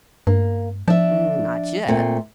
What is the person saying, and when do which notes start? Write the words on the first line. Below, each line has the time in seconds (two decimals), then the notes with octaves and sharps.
"Not yet."
0.27 G2 A#3
0.88 F3 D4 E5
1.88 A#2 A3 C4